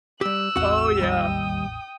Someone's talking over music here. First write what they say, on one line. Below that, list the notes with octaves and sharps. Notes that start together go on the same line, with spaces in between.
Oh yeah.
G3 G4 E6 F#6
A1 E2 C4 F#4 F#5
D#2 G3 D#5 G5 D#6